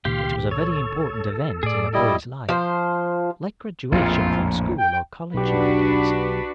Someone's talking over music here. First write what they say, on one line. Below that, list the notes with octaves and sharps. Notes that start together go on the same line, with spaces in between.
It was a very important event in a boy's life, like graduation from school or college nowadays.
C#2 A#2 D#3 G4 F5 G5 C6
A4 C#5
A2 G#4 D5
G3 E4 D5 D#5
F3 C5
A#1 F2 A2 G#3 C4 F4
G5
B1 D4 F#4 G4 B4